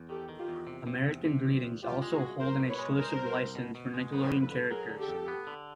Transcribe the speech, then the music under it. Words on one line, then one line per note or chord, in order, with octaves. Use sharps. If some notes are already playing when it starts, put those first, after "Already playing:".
American Greetings also holds an exclusive license for Nickelodeon characters.
Already playing: E2
D#3 G4 A4
D#3
F4 G4
E2
C3
C3
E2
C3
E2
E2
C2 F4 G4
G#3
F#4 G#4
C2
C2 A#4 C5
B2
B4 C#5
G#3
C2 A#4 C5
C2
C2
B2
B2
G#3
B3 A#4 C5
F2
A4 B4
D3
F#3 G#4 A#4
D3
G4 A4
F2
B3
D3